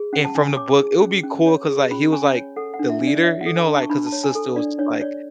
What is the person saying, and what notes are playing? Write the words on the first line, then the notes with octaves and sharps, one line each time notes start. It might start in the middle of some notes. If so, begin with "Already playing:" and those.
and from the book, it would be cool 'cause, like, he was, like, the leader, you know, like, 'cause the sister was just, like,
Already playing: G#4
C#4 F#5
A5
C#4 G#5
C#5 D6
G#4
C#4
C#4
C#5
G#4
C#4 B5
C#4 G#5
C#5
A4 F#5
F#5
D4
E5
D4
D5
C#5 E5
F#5
A4
G#5
D4
A5
C#6
D4 B5
A5
C#5
G#5
A4
D4 D5
D4 C#5
C#5 D5